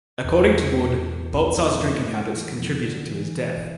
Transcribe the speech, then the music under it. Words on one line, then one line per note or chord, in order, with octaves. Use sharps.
According to Wood, Baltzar's drinking habits contributed to his death.
E2
F2
B2
A2
G#2
E2
F2
D3
E3